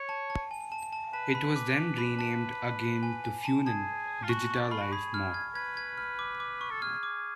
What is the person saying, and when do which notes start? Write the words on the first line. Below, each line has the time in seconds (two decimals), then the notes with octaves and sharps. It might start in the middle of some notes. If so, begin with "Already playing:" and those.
It was then renamed again to Funan DigitaLife Mall.
Already playing: C#5
0.09 A5
0.30 A5
0.51 G#5
0.72 A5
0.93 A5
1.13 B4 A5
1.35 B5
1.56 D6
1.98 B5
2.19 A5
3.03 G#5
3.24 G#5
3.45 A5
3.66 G#4 A5
4.23 F4
4.29 F#4 C#6
4.50 C#6
4.60 D4
4.71 F4 B5
4.81 F#4
4.92 G#4 B5
5.14 F6
5.34 G#6
5.55 B4 G#6
5.77 G#6
5.98 F6
6.19 D6
6.40 D6
6.61 C#6
6.71 A4
6.81 G#4 F6
7.03 D6